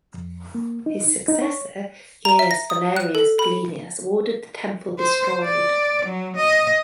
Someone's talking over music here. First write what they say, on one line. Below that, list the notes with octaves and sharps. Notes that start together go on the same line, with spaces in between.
His successor Gaius Valerius Paulinus ordered the temple destroyed.
F2
A#3
D#4
D#2
D#4
C#5
A#5
E5
A#6
D#6
F#6
A4
B5
C5
D5
F#3
D#5